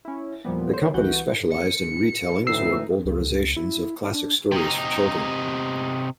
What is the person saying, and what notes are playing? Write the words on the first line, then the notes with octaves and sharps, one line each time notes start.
The company specialized in retellings or bowdlerizations of classic stories for children.
C#4 E4
E2 A#2 F3 G3 B3
C5 C#5
C2 E3 F#4 F#5 G6
C#7
D2 A2 E3 D#4 E6 C7
C#2
E4
D4
C3 D#4